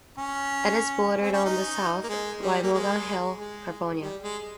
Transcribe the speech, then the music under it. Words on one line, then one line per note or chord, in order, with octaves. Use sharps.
It is bordered on the south by Morgan Hill, California.
C#4
C4
C#4
D#4
A#3
G#3
G3
A#3
G#3
G#3
G3
G#3